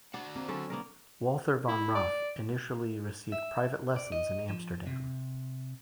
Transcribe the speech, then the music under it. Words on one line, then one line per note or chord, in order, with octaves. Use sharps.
Walther vom Rath initially received private lessons in Amsterdam.
D4 F#4 D5 F#5
A#3 C4
D3 F#3 C#4 A4
A#3 B3 A#4
E4
D5
E5
D5
D#5
F3
C3